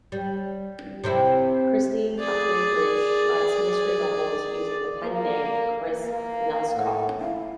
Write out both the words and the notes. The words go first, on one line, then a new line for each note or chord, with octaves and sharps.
Kristine Kathryn Rusch writes mystery novels, using the pen-name "Kris Nelscott".
G3
C3 C4 E4
G#4 D5
A#3
A#3 F5
A2 F#5
E4 F5